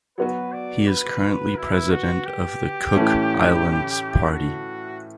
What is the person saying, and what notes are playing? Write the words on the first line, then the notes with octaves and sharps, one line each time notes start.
He is currently president of the Cook Islands Party.
F#3 B3 F#4 B4
D5
B4
E4
F#4
G4
A2 E3 A3 C#4
F#4